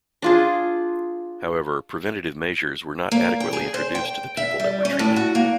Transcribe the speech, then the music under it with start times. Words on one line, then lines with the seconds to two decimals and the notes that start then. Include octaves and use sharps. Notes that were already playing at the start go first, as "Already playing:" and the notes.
However, preventative measures were not adequately introduced to the people that were treated.
0.22 D4 F4 G#4
3.11 A#3
3.40 G5
3.53 G#4
3.74 C5
3.95 G5
4.37 E5
4.60 G3
4.85 C#4
4.99 A2
5.16 F#4
5.35 A#3